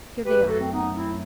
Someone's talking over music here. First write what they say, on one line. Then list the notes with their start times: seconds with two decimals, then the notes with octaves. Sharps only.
"Here they are."
0.24 F#2 F#3 A3 G4 B4
0.47 F#4 A4
0.60 C4
0.71 B3 D#4
0.94 C4 E4